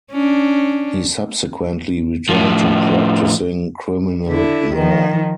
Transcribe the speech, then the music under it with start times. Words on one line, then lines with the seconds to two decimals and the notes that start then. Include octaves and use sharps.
He subsequently returned to practising criminal law.
0.12 C#4 D4
2.29 A2 F3
4.28 D3 E4
4.75 D#3 F3